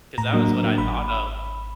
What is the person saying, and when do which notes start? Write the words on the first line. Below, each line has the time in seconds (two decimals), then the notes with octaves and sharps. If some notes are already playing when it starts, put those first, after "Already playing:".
'Cause that was what I thought of
0.18 A2 A#5
0.33 F#3 A#3 D4
0.48 A2
0.64 F#3 A#3 D4
0.77 G#1 B5